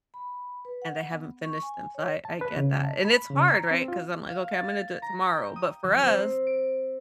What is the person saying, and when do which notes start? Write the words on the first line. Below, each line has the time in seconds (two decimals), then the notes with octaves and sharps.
and I haven't finished them, so I I get that. And it's hard, right? 'Cause I'm like, "Okay, I'm gonna do it tomorrow." But for us,
0.14 B5
0.65 B4
0.82 F#5
1.12 B3
1.44 C#6
1.62 G#5
1.95 C#5
2.25 A5
2.41 B4
2.57 C#3
2.84 A5
3.05 B5
3.30 C#3
3.53 A#5
3.71 C4
3.88 F4
4.29 F5
4.51 A6
5.02 A#5
5.32 G5
5.56 D#6
5.84 F#3
6.03 C4
6.47 D7